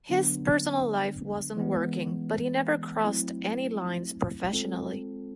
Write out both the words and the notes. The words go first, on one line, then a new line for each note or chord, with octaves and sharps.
His personal life wasn't working but he never crossed any lines professionally.
D3 F#3 B3 D4
E3 G#3 B3
F#3 A3 C4 E4
G#3 C4 F4 A4